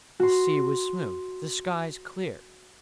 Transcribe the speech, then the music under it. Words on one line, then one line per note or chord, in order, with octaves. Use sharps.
The sea was smooth, the skies clear.
F#4 C6